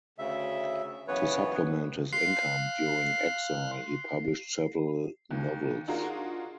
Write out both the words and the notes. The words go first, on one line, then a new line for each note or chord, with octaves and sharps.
To supplement his income during exile he published several novels.
D2 C#3 E5
F#2 C#3 E3 B3 B4 C#5
F5 C6 F#6 C7
D#2
D4 D#4 F4 F#4 G#4 A#4